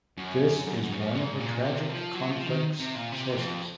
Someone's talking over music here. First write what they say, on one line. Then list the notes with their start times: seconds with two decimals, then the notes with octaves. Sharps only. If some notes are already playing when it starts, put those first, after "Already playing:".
This is one of the tragic conflicts sources.
0.17 F#2
0.66 F#2
0.83 F#2
0.92 G#2
0.99 F#2
1.15 G#2
1.40 A#2
1.65 C3
1.88 F3
2.14 F#3
2.30 F3
2.47 D#3
2.79 C3
2.95 A#2
3.12 C3
3.37 F2